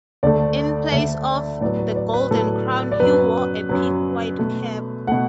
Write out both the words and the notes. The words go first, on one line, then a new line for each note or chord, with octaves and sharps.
In place of the golden crown he wore a peaked white cap.
D2 D3 A3 D5
D2 D3 A3 E5
A2 F#3 B3 D5
B4
D5
B4
A2 F#3 B3 A4
D5
F#2 F#3 B3 B4
F#2 F#3 B3 B4
B2 A3
B2 A3 F#5